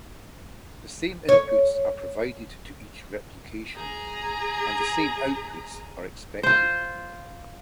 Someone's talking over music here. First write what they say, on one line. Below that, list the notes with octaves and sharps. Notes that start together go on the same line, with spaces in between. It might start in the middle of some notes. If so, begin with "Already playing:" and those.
The same inputs are provided to each replication, and the same outputs are expected.
C#5
G#4 A#5
F4 C5